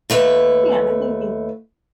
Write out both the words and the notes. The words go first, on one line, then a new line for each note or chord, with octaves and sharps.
Yeah, and I think in
D#2 A3 B4